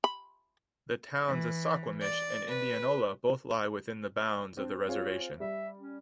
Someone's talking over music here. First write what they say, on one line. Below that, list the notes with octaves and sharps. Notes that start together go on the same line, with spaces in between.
The towns of Suquamish and Indianola both lie within the bounds of the reservation.
B5
E3
D5
B4
C4 D4
C4 F4 G#4 C#5
G3 E5
C#4